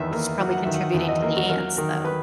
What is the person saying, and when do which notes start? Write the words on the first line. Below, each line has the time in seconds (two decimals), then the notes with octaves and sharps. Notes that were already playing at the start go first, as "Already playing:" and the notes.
which is probably contributing to the ants, though.
Already playing: E2 D#3 B4 E5
0.13 A#3
0.40 F#3
0.51 F#5
0.64 D#3 E5
0.76 F#5
0.94 E2 E5
1.08 D#5
1.22 A#3 E5
1.37 F#4
1.49 F#3 A#4
1.77 D#3 A#4
2.05 B4